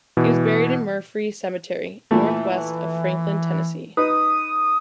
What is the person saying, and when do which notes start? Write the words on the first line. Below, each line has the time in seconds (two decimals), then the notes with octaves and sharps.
He was buried in Murfree Cemetery, northwest of Franklin, Tennessee.
0.17 B2 E3
2.11 A#2 E3 A3
3.97 D#4 B4 D#6